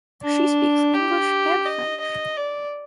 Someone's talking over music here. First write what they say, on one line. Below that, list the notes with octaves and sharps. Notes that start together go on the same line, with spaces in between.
She speaks English and French.
D4
G4
D#5
D#5
D5